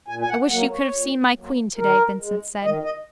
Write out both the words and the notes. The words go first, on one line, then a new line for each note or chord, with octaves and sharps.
I wish you could have seen my queen today, Vincent said.
A#2 G#5
G#5
F#5
F#3 A#3 F#5
C#5
A#2
F#3 A#3
D#3 A#4
G#3
D#3 D#5
D#5